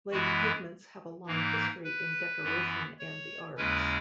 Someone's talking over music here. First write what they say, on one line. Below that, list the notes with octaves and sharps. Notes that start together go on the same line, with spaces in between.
Lake pigments have a long history in decoration and the arts.
F#2 E3 G#3 B3 E4 F#4
G#2 E3 A#3 D#4
B4
F#2 E3 B3 E4
C#5
D#2 C#3 G#3 C#4 E4 B4